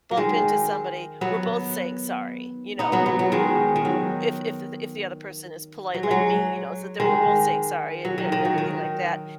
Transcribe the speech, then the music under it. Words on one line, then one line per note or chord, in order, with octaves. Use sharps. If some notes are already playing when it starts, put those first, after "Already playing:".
bump into somebody, we're both saying "sorry," you know, y y you know, if if if the other person is polite like me, you know, so we're both saying sorry and and everything like that,
F#3
D#3 G#3
F#3 B3
B3 D#4
F#3 B3
F#3 B3
F#3 B3
D#3 G#3
D#3
F#3
F#3
G#3
F#3
D#3 G#3
F#3
D#3
D#3
F#3
D#3